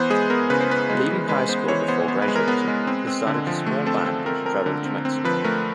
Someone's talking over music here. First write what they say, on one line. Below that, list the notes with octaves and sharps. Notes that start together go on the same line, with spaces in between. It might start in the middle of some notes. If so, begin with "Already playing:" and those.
Leaving high school before graduating, he started a small band which traveled to Mexico.
Already playing: E3 B3 B4 C5
G#3 G#4
B3 A#4
C#3 B4
C5
B3 B4
G#3
E3
G#3 B4
B3 C5
E3 C#5
B3 C5
B3 C5
B4
G#3
A#4
B3 B4
G#3
C4
C4
D3
F3
A3
C4 A4
C4 A4
C4 A#4
C4 A#4
D3
C4
C4
F3 B4
A3 A#4